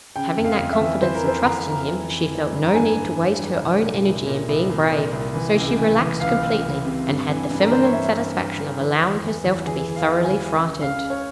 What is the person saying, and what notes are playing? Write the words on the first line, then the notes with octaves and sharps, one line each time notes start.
Having that confidence and trust in him, she felt no need to waste her own energy in being brave; so she relaxed completely, and had the feminine satisfaction of allowing herself to be thoroughly frightened.
C#3 G5
F2
F5
F2
E5
E3
E3 C5
A#4
F2 C5
F2 A#5
F2 A#5
E3
E3
E3
G2
A#5
G2 G#5
E3
E3
G2
C2
A#2
C2
A#2
C2
C2
A#2
C2
E3
C#2
E3
E3
C#2 F5
C#2
C#2
C3
G2
E3
G2
A#4
E3 C5
C#5
G2 E5
G2
G2
E3
E3
E2
E2
E2
E3 G#4
E2
F5
E3
G#5
E3
C#2
C#3
F5
C#3
C#5